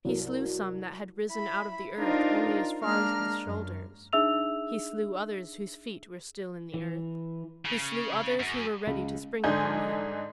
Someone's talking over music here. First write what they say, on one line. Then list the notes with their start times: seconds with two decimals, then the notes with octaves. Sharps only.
He slew some that had risen out of the earth only as far as the shoulders; he slew others whose feet were still in the earth; he slew others who were ready to spring upon him.
0.05 C2 F#3 A#4
1.31 E4 B5
1.96 D4 D#4 F4 A#4 C5 D#5
2.82 G#3 A#3 D4 A#5 F6
3.44 F#2
4.13 D4 D#4 G#4 E5 E6 F7
6.74 E3
7.66 C#3
8.40 F#2
8.87 C#2
9.44 G#2 D3 D4 D#4 G#5 G6